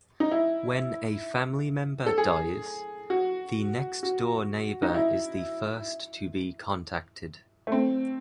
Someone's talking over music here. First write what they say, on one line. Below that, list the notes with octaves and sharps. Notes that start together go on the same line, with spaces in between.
When a family member dies, the next-door neighbor is the first to be contacted.
D#4
E4
A4
G#4
F#4
F#4
D#4
E4
A3
C4